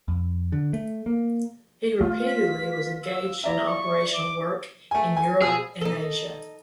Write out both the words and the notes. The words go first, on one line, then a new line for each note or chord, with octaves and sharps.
He repeatedly was engaged in operational work in Europe and Asia.
F2
D3
A3
A#3
A3 F4
B6
E6
E4 D5 E5 A#5
C#6
D6
A3 G#5
G#5
B2 F3 G#4 E6
D#4 A4